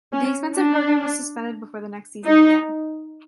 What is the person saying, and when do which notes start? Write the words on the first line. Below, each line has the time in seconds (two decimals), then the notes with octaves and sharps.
The expensive program was suspended before the next season began.
0.13 C#4
0.56 D4
2.26 D#4